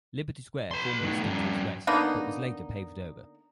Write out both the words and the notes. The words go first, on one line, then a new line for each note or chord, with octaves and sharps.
Liberty Square formerly stood to its west but was later paved over.
B4 C6
D#3 A3
G2 C#4
D3 A#3 B3 D#4